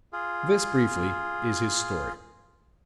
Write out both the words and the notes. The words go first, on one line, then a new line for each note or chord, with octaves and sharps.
This, briefly, is his story.
F4 G#4